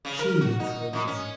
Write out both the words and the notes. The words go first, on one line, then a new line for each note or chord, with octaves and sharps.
She had created him.
C#3
A#4
F#4
D#4
F#2
C#4